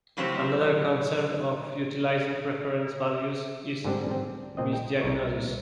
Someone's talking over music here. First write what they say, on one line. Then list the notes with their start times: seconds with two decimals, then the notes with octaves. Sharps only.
Another concern of utilizing reference values is misdiagnosis.
0.17 A2 C#3 F#3 C4 G4 C5
3.85 G#2 D3 G3 C4 D4 G4
4.11 C4
4.57 A#2 C4 D#5
4.73 G5
5.01 C2 D#4 C#5